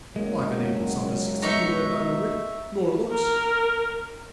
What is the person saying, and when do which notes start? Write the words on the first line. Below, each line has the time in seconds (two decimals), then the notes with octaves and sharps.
I've enabled some to succeed who had neither wit nor looks.
0.16 F#1 F#3 G#3 A#3
1.42 B2 D#4 C#5 E5
3.12 A#4